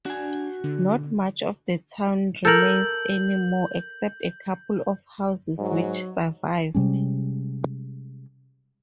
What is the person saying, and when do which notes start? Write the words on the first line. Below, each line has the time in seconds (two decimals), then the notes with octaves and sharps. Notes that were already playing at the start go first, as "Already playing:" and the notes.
Not much of the town remains anymore except a couple of houses which survived.
0.06 D4 F#4 G#5
0.64 D3
2.45 A4 A#4 G6 F#7
5.58 G#2 F#3
6.75 C3 G3 G#3 C#4